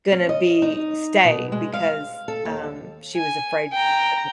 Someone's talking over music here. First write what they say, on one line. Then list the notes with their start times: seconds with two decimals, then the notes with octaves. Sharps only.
gonna be stay, because, um, she was afraid she couldn't
0.12 C#4
0.29 D#5
0.62 D#4
1.24 B2
1.52 G#3
1.73 F5
2.28 A4
2.45 D#2
3.15 G#5
3.73 G5 A#5